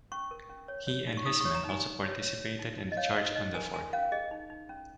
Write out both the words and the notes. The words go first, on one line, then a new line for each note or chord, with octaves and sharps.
He and his men also participated in the charge on the fort.
C#4 C#6
A#4
C#4
C#5
C#5
D#4
C#6
D#4 D#6
C#5 C#6
A#5
D#4 G#5
D#4
C#5
C#5
C#5
D#4
D#4
D#5
C#5 F5
D#4 D#5
D#4 D#5
A#4 G#5
A#4 G#5
C#4 F5
G#4 D#5
D#4
D#4
C#4